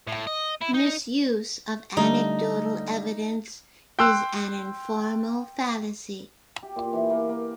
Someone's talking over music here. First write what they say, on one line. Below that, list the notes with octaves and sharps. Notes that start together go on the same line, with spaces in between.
Misuse of anecdotal evidence is an informal fallacy.
A2
D#5
E4
D#4
D3 G3 A3 D#4
G5 C6 E6 F#6
G4
A#2
E3
A#3
A#3